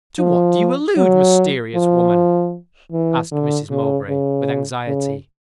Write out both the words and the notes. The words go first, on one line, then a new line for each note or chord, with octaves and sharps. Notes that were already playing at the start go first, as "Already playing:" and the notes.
"To what do you allude, mysterious woman?" asked Mrs. Mowbray, with anxiety.
F3
F#3
F3
E3
D3
C#3
C#3
C#3